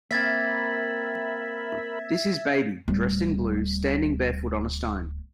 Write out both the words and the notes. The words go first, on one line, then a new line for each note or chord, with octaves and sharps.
This is baby, dressed in blue, standing barefoot on a stone.
A#3 C4 A#4 E5 B5 G#6 A6 B6
D1 G3